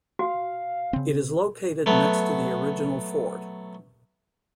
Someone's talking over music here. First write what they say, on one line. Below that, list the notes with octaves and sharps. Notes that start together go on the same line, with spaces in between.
It is located next to the original fort.
F#4 F5
C#3 C4
F#3 A3 B3